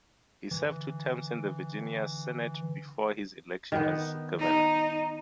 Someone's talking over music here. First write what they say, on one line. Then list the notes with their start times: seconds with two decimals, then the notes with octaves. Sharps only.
He served two terms in the Virginia Senate before his election as governor.
0.51 D3 E3
3.72 D#3 B3
4.39 D#4